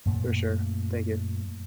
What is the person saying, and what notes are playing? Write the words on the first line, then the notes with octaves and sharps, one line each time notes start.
For sure. Thank you.
F#2 A#2 A3